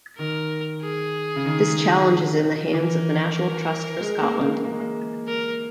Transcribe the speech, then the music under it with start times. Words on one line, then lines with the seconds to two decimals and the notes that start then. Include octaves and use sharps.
This challenge is in the hands of the National Trust for Scotland.
0.18 D#3 A#4
0.82 G#4
1.36 C#3
1.46 D#3
2.73 E3 A#4
4.01 G#3
4.22 A#3
4.36 G#3
4.43 A#3
4.64 A#3
4.72 G#3
4.80 A#3
5.28 A#4